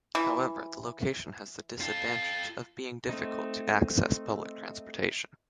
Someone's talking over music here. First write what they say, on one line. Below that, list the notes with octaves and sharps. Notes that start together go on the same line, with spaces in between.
However, the location has the disadvantage of being difficult to access public transportation.
E3
F4 A4
A3 C4 D#4